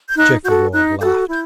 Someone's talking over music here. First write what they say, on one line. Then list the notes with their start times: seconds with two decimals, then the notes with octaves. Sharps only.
Geoffrey Ward laughed.
0.10 G6
0.16 D#4 F#6
0.44 F#4 G6
0.50 A4
0.72 D#4 F#6
1.00 F#4 A4 G6
1.28 E4 G6